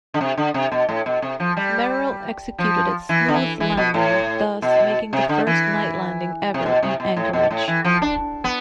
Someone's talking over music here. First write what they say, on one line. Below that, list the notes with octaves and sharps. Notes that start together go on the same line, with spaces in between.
Merrill executed a smooth landing, thus making the first night landing ever in Anchorage.
D3
C3
D3
C3
B2
A2
B2
C3
F3
G3
F3
E3
D3
E3
E3
B2
A2
B2
C3
D3
E3
C3
B2
C3
B2
A2
B2
A2
E3
F3
D4
B3